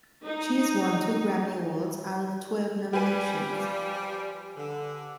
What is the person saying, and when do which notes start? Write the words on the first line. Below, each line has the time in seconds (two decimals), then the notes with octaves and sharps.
She has won two Grammy Awards out of twelve nominations.
0.25 D#4
2.93 F3 G3 G4 B4 G#5
4.57 D3